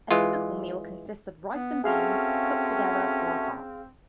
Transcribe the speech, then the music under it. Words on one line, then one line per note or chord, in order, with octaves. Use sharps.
A typical meal consists of rice and beans, cooked together or apart.
E3 G#3 F4
B3
C4 C#4 F#4 G#4 A4 E5 F5 F6